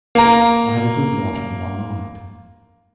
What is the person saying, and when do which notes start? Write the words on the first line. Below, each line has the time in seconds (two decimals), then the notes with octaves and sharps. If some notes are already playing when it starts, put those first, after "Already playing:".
I had a good lot on my mind.
0.15 A#3 A#5